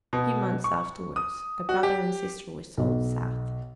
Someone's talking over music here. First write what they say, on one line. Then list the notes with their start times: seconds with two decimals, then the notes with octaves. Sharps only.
A few months afterwards a brother and sister were sold south.
0.13 B2
0.64 C#6
1.16 D#6
1.69 F#4
1.83 G4
2.77 B1